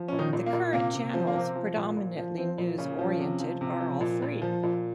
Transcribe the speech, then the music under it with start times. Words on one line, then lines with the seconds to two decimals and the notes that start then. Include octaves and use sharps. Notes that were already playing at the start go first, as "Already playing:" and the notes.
The current channels, predominately news-oriented, are all free.
Already playing: F3
0.08 A#2 C#4
0.19 D#3 D#4
0.33 A#2
0.46 A#3
0.53 A#2
0.73 C3 A#3
0.93 C3
1.14 F3 C4
1.27 A#3
1.34 C3 C4
1.56 F3
1.77 A#2
1.97 A#2
2.17 F3
2.37 F3 C4
2.58 A#2
2.78 A#2 C#3 C#4
2.99 F3
3.20 C3
3.40 F3
3.61 C3
3.80 F3
4.01 A#2
4.22 A#2
4.42 F3
4.63 A#2